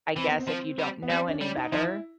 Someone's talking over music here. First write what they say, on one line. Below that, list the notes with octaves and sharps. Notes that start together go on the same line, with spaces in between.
I guess if you don't know any better,
E3 C4
B3
C4
F3
G3
B3
G3 C4
D4
C#4
G3
D#4
F3 D#4
E4